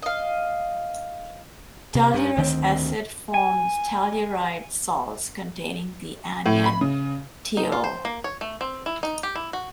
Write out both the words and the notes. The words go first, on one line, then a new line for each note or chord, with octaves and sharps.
Tellurous acid forms "tellurite" salts containing the anion TeO.
D#5 F5
C3
G2
D2 D#3 C4
G#5
A2
B5
C#3
D#4
F4
C5
A#3
C#5
A3
C4
E4
D#4
G4
E4
F#4